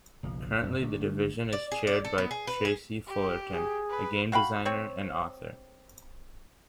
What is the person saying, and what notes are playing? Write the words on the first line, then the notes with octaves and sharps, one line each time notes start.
Currently, the division is chaired by Tracy Fullerton, a game designer and author.
F#1 B1 F3
F#2 B3
G1 A3 C#4 D4
D5
G#4
D5
A4
B3
G#4
B4
G#4
G4
G#4
B4
F#4 F5 G5 B5
C4 C#5